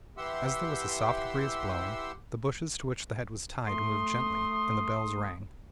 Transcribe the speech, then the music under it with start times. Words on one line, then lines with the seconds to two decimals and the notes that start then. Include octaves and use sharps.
As there was a soft breeze blowing, the bushes to which the head was tied moved gently, and the bells rang.
0.17 E3 G4 E5 F#5 C6 E6
3.68 A3 C6 D#6